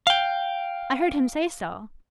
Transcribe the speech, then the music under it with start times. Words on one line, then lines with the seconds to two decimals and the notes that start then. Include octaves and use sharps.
I heard him say so.'
0.07 F5 G5